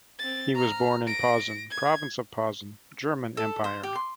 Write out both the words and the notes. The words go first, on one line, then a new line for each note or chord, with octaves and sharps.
He was born in Posen, Province of Posen, German Empire.
C4 A6
A#5 F6
A#6 D7
G#6
A4
C5
G4
C6